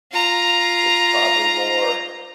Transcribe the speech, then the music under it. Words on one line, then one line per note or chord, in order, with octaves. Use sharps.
it's probably more
F4 A#5